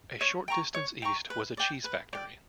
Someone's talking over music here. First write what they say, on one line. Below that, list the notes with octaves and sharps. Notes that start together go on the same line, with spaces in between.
A short distance east was a cheese factory.
C#5
G5 A#5 C#6
C#5
G5 A#5 C#6
B4
D5 G5
B4
D5 G5